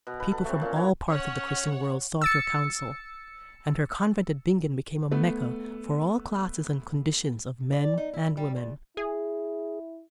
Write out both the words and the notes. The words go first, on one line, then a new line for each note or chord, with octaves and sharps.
People from all parts of the Christian world sought her counsel; and her convent at Bingen became a Mecca for all classes and conditions of men and women.
B2
B4 F#5
A4
A3 C4
A#2 C#4
E4 C#5 F#5
C#4 C#5 F#5
E6 A6 C#7
A3 B3
D5
D#4
E4
G3
E2
E4 G#4